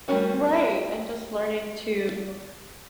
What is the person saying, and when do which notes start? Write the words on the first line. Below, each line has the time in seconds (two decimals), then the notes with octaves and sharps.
Right, and just learning to
0.08 G3 A3 A#3 C#4 F#4